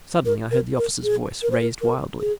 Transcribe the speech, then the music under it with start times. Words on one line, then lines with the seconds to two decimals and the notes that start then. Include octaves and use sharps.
Suddenly I heard the officer's voice raised wildly.
0.25 A#4
0.51 A#4
0.77 A#4
1.04 G#4
1.42 A#4
1.51 C5
1.60 A#4
1.81 A#4
2.20 G#4